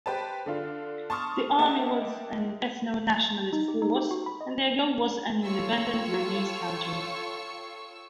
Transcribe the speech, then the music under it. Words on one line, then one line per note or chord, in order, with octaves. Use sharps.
The army was an ethno-nationalist force and their goal was an independent Burmese country.
G4 B4 C5 A5
D3 D4 F4
A5 C6 C#6 D#6 F6
A#3 G4 D#5 E5 F#5 A5
D#4
G4
D#4
G4
F#4
B5
D#5
F4 A4 C#5 G5 C#6 E6